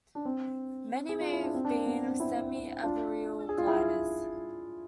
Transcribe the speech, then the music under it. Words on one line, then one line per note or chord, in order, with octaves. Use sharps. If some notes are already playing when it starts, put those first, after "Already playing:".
Many may have been semi-arboreal gliders.
D4
C4
G#4
F4
E4
D4
C4
D4
C4
B3
C4
C4 E4
D4 F4
G#4
F4
E4 G#4